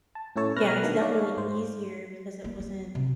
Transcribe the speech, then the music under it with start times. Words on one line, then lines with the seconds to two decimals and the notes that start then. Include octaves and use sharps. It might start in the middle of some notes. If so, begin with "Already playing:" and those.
yeah, it's definitely easier because it wasn't,
0.15 A5
0.36 A2 C#4 E4 A4 C#5 A5
0.56 B2 B4 F6 F#6 A#6
0.83 B2 D#3 G#3 A#3 D4
1.01 D#4 C#5 D5 F5
1.37 G#2 G#3 C5
2.44 A#3
2.60 B3
2.95 C3